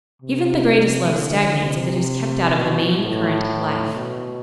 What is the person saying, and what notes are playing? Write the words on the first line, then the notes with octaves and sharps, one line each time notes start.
Even the greatest love stagnates if it is kept out of the main current of life.
C3
D3
C3
B2
A2
B2